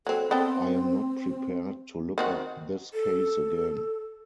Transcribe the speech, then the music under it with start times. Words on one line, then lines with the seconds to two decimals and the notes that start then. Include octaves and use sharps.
I am not prepared to look at this case again.
0.07 F#3 C4 A4
0.31 B3 C4 A4 G5
2.18 D#3 C4 F#4
2.93 A4